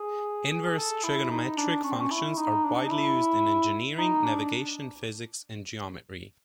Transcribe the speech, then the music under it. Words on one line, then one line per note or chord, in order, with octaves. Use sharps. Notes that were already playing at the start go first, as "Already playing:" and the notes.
Inverse trigonometric functions are widely used in engineering, navigation, physics, and geometry.
Already playing: G#4
G#4
A4
E4
D#4
D4
C#4
C4
C#4
E4
D#4
D4
D#4
E4
D#4
D4